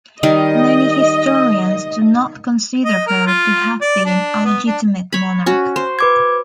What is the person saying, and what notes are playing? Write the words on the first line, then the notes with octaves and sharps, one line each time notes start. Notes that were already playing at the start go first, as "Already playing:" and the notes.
Many historians do not consider her to have been a legitimate monarch.
D#3 G3 A#4 D#5
D#5
A#4
F4
D5
D4
B3
D4
C#5 B5
C#4 F#4
C5
B4 D6 G#6